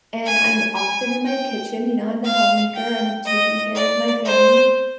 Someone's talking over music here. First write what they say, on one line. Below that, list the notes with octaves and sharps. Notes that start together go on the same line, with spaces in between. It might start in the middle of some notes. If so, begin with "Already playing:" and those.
and I'm often in my kitchen, you know, I'm the homemaker. I'm taking care of my family,
G#5
G#5
G5
F5
G5
D#5
D5
C5